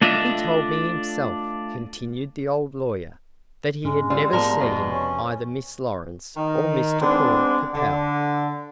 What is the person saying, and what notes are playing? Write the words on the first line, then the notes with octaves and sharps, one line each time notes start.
"He told me himself," continued the old lawyer, "that he had never seen either Miss Lawrence or Mr Paul Capel."
A3 D4 F4 D#5 E5
G#2 G#3 C#4 D4
G3 C4 F4
G#2 F3 G3 A#3 B3 A#4
F1 B2 F3 F4
C#4
D#3
G#3 B3 C4 D4
D3